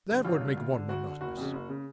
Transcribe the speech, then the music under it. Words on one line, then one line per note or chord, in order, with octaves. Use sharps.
That would make one monotonous.
G2 D3
A1 F4
G2 D3
D2
D3
D2 F#4
D3
F#1 F#4
F2 C#3
F#1
C#3